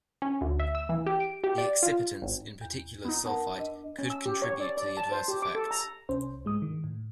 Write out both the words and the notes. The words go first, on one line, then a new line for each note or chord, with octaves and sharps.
The excipients, in particular sulphite, could contribute to the adverse effects.
C#4
D2
E5
E6
E3
G4
D7
G4
D5
F4
G#1
E2
B3 D#4
B3 A#4 F#5 A5
D4 D#5
C#4
E6
G4
C#5
D5
D5
A5
C5
G4
D6
A4
A#5
C2 C#4 C5
G#2 G#3 D#6
D#3
A2